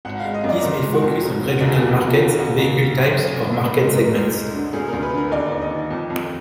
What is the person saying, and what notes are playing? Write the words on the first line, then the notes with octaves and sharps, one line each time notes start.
These may focus on regional markets, vehicle types, or market segments.
G#1 F#5
G#3 F5
D#5
F#2
D5
F#1 A#4
G#3
F#4
F2
F1
F1
F#4
D#2
G#4
F2 F#4
F2
F4
D#3
D#2 F#4
D#2
D#3
F#1
F#1
F#2
G#1
G#3
F#2
D2
G#3
D3
D2 G#4
D2 A#4
B4
D3 A#4
D#2 D5
D#2
D#5
D#3
F2
F2